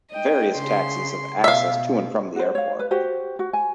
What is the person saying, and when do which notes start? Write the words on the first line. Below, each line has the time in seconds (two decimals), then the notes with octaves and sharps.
Various taxis have access to and from the airport.
0.11 D#5 G5
0.53 C#3 C6
1.44 B2 E5 F5
2.36 F#4 C5
2.55 C#5 F5
2.79 B4
2.91 F#4 G4 C5
3.39 F#4
3.53 G#5